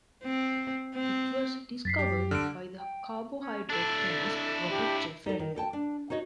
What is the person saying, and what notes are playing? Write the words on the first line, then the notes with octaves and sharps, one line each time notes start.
It was discovered by the carbohydrate chemist Robert J. Ferrier.
C4
C4
F#2 A6 B6 C7
G4
D3 F6 D7
G5
C#4
D4 E4 A4
G4
D#4 A4
D#3
A4 G5 A5
D4
D#4 F#4 C#5 D#5